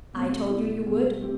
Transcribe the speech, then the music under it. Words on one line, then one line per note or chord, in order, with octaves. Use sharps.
"I told you you would."
B2 A3 C4
B2 B3 E4
E2 B2 G3
B2 A3 C4 G4